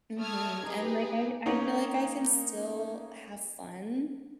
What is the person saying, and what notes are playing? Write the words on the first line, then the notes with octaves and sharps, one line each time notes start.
Mhm, and, like, I- I feel like I can still have fun
A3 E5 D#6 F6 G#6
D#4 G4 G#4 B4
A#3 C#4 D#4